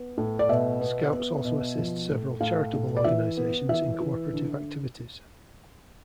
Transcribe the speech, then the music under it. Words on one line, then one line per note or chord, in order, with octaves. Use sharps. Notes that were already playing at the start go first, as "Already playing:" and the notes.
Scouts also assist several charitable organizations in co-operative activities.
Already playing: B3
A2
D5
B2 E5
B3
B3
B2
F3
A2
A2 F5
A2
D5
E3 E5
B3
E3 E5
E3
D3